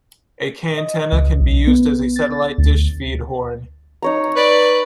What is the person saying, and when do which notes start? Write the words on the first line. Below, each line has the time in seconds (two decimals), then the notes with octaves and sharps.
A cantenna can be used as a satellite dish feed horn.
0.77 D#5
1.12 C#2
1.40 B1
1.67 B3
2.16 A6
2.58 D2
4.02 D#4 C#5 A#5
4.36 B4 D5